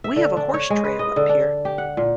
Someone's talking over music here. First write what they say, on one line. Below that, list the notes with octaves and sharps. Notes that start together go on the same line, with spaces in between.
we have a horse trail up here
E5
D3
D4
C#5
G#3
B4
D#5
D3
D4
G4
F#5
A#2